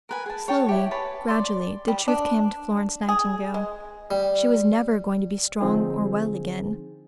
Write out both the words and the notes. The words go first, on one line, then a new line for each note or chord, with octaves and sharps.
Slowly, gradually, the truth came to Florence Nightingale: she was never going to be strong or well again.
A#4 B4 G#5
G#4 A5
C#5 G5 A5
E4 G4 C#5
B4 C#5 G#5 A5
D5 C6
G3
D4
G#4
G#3
G3
D3 F3 C4 D#4 G#4